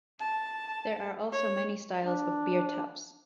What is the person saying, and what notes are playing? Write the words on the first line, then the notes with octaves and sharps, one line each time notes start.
There are also many styles of beer taps.
A5
C#5
D4